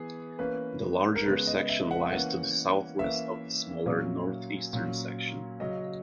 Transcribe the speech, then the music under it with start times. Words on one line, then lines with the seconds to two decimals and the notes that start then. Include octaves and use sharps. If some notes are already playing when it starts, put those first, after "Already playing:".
The larger section lies to the southwest of the smaller northeastern section.
Already playing: E3 B3 G#4
0.39 E3 A#3 C#4 B4
1.15 A#4
1.26 C#3 G#3 B3 B4
1.47 D#5
1.69 E5
1.91 F#5
2.07 E5
2.12 E3 A#3 C#4 F#5
2.99 E3 A#3 C#4 E5
3.86 A#2 F#3 C#4
4.73 A#2 F#3 C#4
5.60 C#3 F#3 C#4 D#5